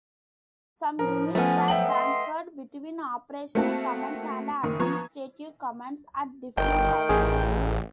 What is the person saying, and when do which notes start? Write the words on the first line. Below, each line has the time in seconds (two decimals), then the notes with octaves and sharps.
Some units were transferred between operational commands and administrative commands at different times.
0.99 A2 F3 A#4
1.35 F3 A3 B3 C#4
1.68 F3 F#3 E5 G5 F#7
1.89 D#5 C6
3.55 A3 A#3 C4 F#4 F5 A5
4.63 F#1 D#3 C#6 D#6
4.80 F3 B3 A#5 C#6 G#6
6.57 G1 D#3 G5
7.09 A1 G#4